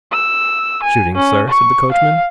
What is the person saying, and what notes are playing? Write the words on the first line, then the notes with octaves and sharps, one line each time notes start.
'Shooting, sir?' said the coachman.
E6
G#5
C#4
C#6
F5